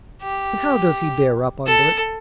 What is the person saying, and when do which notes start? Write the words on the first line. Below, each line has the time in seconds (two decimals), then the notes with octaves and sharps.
"And how does he bear up under it?"
0.22 G4
1.66 A4